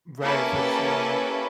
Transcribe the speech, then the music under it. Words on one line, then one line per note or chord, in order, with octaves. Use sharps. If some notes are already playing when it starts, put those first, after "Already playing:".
Right, for sure.
A#3 C#4 E4 G4 A4 B4